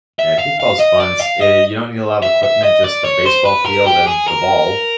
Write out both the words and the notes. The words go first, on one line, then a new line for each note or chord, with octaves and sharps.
Yeah, kickball's fun s Yeah you don't need a lot of equipment, just a baseball field, and the ball,
E5
F5
F5
D#5
D5
F5
D#5
E5
E5
D#5
D5
C#5
C5
B4
A#4
G4
G#4
A#4